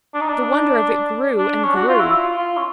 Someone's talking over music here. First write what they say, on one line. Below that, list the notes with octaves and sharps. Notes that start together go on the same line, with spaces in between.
The wonder of it grew--and grew.
D4
D#4
D4
D4
C#4
F#4
F4
E4
F4
F4
C#4